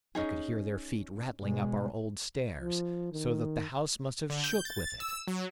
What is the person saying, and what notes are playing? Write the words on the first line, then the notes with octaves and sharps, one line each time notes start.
I could hear their feet rattling up our old stairs, so that the house must have shook with it.
C#4 D#4 G#4
B2 G#3
F3
D#3
D3
G6
A6
E6
F#3